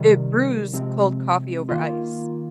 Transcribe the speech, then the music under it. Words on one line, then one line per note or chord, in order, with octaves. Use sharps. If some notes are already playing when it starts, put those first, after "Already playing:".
it brews cold coffee over ice.
Already playing: C3 D#3 G3
C3 F3 G#3 C4
D#3 A#3 F4